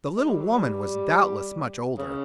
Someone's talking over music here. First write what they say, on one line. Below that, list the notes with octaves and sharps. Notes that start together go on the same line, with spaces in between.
But the little woman was doubtless much older.
G#3
G3
F#3
G3
C#3